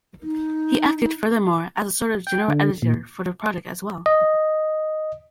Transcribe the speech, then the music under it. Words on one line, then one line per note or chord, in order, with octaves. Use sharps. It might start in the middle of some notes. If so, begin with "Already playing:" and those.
He acted, furthermore, as a sort of general editor for the project as well.
D#4
G5
D3
A#2
D#5